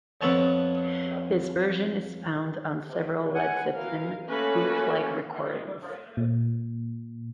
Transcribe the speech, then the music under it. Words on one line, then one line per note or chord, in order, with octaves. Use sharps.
This version is found on several Led Zeppelin bootleg recordings.
F2 B3 A4 C#5 A5
F#5 G#5
E3 A#4 F5
A3 A#3 C#4 F#4 A4 B4
A#2